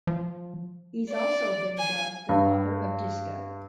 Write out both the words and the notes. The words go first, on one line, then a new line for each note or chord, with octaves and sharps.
He has also been dubbed the "Father of Disco".
F3
D5
G#5
G2